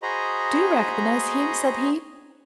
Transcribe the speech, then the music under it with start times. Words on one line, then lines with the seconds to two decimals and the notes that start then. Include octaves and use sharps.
"Do you recognize him?" said he.
0.02 F#4 G#4 C5 D#5 A#5 B5